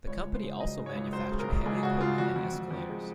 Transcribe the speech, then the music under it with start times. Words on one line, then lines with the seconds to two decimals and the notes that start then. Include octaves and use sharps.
The company also manufactured heavy equipment and escalators.
0.07 C#2 C#5
0.25 C#2
0.34 C5
0.42 C#3
0.60 F#3 D#5
0.78 C#3
0.86 C#5
0.96 C#2
1.13 F#3 C5
1.31 C#3
1.39 A#4
1.48 C#2
1.66 C#2 G#4
1.83 C#3 F#4
2.01 C#2 F4
2.18 F2 F#4
2.36 F2
2.53 F2
2.71 F2
2.89 G#3